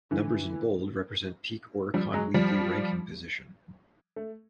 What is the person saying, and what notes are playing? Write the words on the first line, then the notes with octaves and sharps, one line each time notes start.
Numbers in bold represent peak Oricon Weekly Ranking position.
D3 E3
F3 G3
F#3 G#3
F3 G3
A3